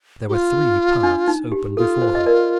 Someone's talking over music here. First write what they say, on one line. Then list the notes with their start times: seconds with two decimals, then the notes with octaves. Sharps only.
There were three paths open before her.
0.29 G4
0.33 F4
1.03 D4
1.28 D#4
1.52 G4
1.77 F4 A4
2.02 C5
2.15 D#5
2.26 A#4 D5